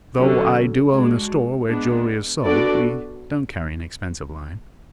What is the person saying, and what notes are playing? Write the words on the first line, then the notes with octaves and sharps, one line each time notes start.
Though I do own a store where jewelry is sold, we don't carry an expensive line.
D3 F#3 C#4
G#3 D4 F#4
G#3 B3 D4
B3 D4 F#4 A4 D5